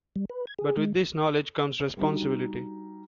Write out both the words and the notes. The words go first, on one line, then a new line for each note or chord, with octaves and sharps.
But with this knowledge comes responsibility.
G3
B4
G#6
G#4
G#3
G3 D4 D#4 F#4